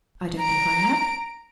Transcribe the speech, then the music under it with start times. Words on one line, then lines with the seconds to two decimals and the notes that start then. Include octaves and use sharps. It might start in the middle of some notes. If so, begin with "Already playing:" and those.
I don't think I have.
0.39 A#5 D7